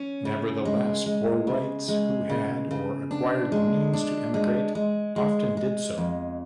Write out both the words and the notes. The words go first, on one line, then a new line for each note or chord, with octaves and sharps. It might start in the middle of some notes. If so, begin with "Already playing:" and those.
Nevertheless, poor whites who had or acquired the means to emigrate often did so.
Already playing: C#4
C#3
G#3
G#3
C#3
G#3
C#3
C#3
D4
G#3
D4
G#3
G#3
G#3
G#3
F2